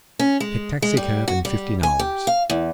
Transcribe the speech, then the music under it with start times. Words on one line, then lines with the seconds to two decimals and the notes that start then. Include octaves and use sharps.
Take taxicab and fifty dollars.
0.19 C#4
0.40 G#3
0.82 G#3
0.97 G3
1.28 F#4
1.45 G3
1.83 G#5
1.99 G4
2.27 F5
2.50 E2